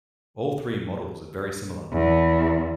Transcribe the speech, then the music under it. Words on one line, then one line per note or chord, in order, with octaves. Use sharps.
All three models are very similar.
E2